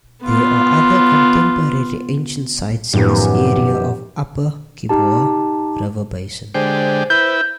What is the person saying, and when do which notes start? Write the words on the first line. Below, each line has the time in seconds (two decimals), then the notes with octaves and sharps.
There are other contemporary ancient sites in this area of upper Khabur River basin.
0.24 B3 F4
2.94 F#2 A2 D#3 F3 B3 G4
4.89 D#4 G4 A5
6.54 D3 G#3 G4 C5
7.10 E4 B4 G6